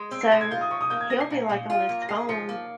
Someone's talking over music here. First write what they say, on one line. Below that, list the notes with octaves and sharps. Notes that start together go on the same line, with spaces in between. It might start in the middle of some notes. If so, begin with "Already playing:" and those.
So, he'll be, like, on his phone
Already playing: G#3
C4
C7
G#3 A#6
G#6
F4 G6
D#6
F3 C#6
D#6
A#3 G6
G#6
G3 A#6
C7
A#2
A#2
F4
A#3
A#6
G#4 C7
F3 C#7
A#3